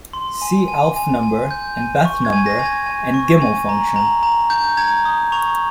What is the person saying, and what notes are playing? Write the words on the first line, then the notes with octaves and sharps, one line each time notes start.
See aleph number and beth number and gimel function.
C6
G#5
G#5
G#5
G#5
G6
G#5
C#6
G#6
G#5
A#6
G#5
G#6
G#5
C#6
G#5
A#5
A#5
A#5
G6
A#5 G#6
D#6
C#6 F7